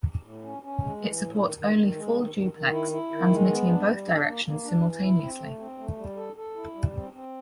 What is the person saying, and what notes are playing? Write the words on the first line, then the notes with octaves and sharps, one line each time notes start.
It supports only full-duplex, transmitting in both directions simultaneously.
A2
C#4
C#4
G#3
E3
A2
D#3
D#3
D#3
G#3
D#3
D#3
D#3
E4
E4
D#3
G#3
B3
D4
G3
D4
A#3
A#3
D4
E3
E4
C4
A3
C4
A3
G3
A4
A4
E4
G3
C4
C4